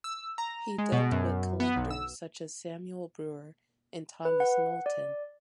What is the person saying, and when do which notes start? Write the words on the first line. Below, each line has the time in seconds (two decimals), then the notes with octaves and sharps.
He dealt with collectors such as Samuel Brewer and Thomas Knowlton.
0.04 E6
0.38 A#5
0.78 G#3
0.92 B2
1.12 F#2
1.60 B3
1.76 B1
1.91 E6
4.25 B4
4.40 F#5
4.86 D5